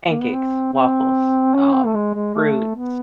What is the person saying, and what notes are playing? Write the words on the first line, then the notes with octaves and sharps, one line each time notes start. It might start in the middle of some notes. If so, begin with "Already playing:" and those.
Pancakes, waffles, um, fruits.
A#3
B3
C4
C4
C#4
C4
A3
G#3
G#3
A3
B3